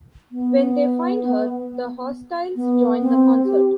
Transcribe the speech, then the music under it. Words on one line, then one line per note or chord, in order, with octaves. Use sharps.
When they find her, the hostiles join the concert.
B3
B3
C4
G4